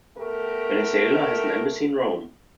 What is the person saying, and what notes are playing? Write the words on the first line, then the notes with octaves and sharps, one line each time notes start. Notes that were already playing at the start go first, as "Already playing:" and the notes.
Venezuela has an embassy in Rome.
A3 B3 G4 A#4